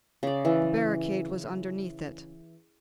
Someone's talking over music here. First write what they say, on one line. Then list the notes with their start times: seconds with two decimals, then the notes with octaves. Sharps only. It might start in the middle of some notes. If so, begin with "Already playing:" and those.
The barricade was underneath it.
0.23 C#3 D5
0.45 E3